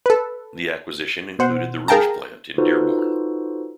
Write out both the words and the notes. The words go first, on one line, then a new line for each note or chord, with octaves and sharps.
The acquisition included the Rouge Plant in Dearborn.
A4 B4
B2 C5 F#5
G#4 A#4 F5 G5 A5 A#5
D#4 F4 F#4 A4 B4 C5